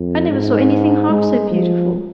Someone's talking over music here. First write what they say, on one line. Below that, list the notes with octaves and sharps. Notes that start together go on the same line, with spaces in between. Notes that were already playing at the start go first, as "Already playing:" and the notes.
I never saw anything half so beautiful!
Already playing: F2
G#2
G#3
F3